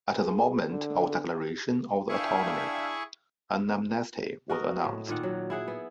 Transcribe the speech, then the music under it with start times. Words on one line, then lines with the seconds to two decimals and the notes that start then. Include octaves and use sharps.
At the moment of declaration of the autonomy an amnesty was announced.
0.22 G#4
0.70 D3
2.09 D4 E4 G#4 E5 F5 G5 C#6
4.50 F#4 A#4 D#5
4.84 A2
5.08 A#2 D#3 F#5
5.23 F#3
5.50 E4 G#4 F#5
5.68 B3